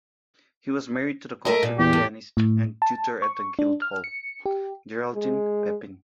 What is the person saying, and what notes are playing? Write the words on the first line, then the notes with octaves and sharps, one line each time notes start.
He was married to the concert pianist and tutor at the Guildhall, Geraldine Peppin.
A3 A#4 D#5
A#2
E2 G4
A2
A2
A5
C#6
D4
F6
C#7
G4
G#3